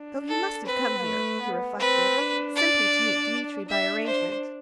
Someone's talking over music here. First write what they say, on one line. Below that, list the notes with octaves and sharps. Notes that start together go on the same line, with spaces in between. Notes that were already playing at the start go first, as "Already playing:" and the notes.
So he must have come here, he reflected, simply to meet Dmitri by arrangement.
Already playing: D4
A4
C4 B4
A3
B3
C4 B4
D4
D5
D4 E5
C5